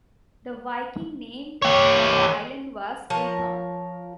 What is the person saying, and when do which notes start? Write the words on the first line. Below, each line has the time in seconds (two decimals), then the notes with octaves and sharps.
The Viking name for the island was "Keitholm".
1.62 G4 C#5
3.10 F3 A#4 C#5